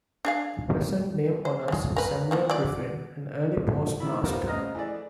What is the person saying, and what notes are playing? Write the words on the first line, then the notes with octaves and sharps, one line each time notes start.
The present name honors Samuel Griffin, an early postmaster.
D4 G#4 F5
C5
G3 G#3
A#4 B4
F3 A#3 B3
F#3 D5
D#3 A3 E4 B5
G3 B3 F4 A#4 C5
A#1 C#3 D#5 A#5 F6
E3 A3 G#4 D5